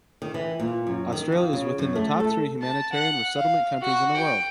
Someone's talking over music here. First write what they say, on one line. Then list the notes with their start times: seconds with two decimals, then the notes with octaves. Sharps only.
Australia is within the top three humanitarian resettlement countries in the world.
0.22 D#3
0.34 E3
0.60 A#2
0.87 F#2
1.12 D#3
1.32 F2
1.53 C#3
1.79 F#2
1.96 A3
2.20 A4
2.62 A5
2.92 F#5
3.36 F5
3.82 F#4
4.17 G5